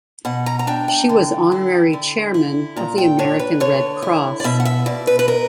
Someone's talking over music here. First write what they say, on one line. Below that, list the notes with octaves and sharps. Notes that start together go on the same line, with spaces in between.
She was Honorary Chairman of the American Red Cross.
B2 F#5
A#5
A#5
D4 G5
G5
D3
E4
D3
E4
A#2 A#5
G5
D4 C#5
B4
D3 C#5
E4
D5
B2 E5
F#5
E5
B2 D5
B4
B4
A#4